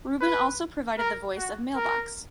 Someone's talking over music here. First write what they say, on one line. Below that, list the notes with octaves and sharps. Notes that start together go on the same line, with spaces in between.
Rubin also provided the voice of Mailbox.
B4
A#4
F#4
A#4